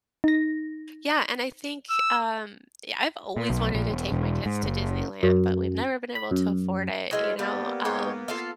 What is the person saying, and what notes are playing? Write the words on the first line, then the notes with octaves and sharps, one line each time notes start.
Yeah, and I think, um yeah, I've always wanted to take my kids to Disneyland, but, we've never been able to afford it, you know, um,
D#4 A#6
E6
A#2
B1
A#1
E1
E1
G#2
F#1
F#2
B5
F#2
F#3 G#3 E4 F4 A4 B4
G3 A#3 B3
G#3 G4 C#5
F4 A4 F5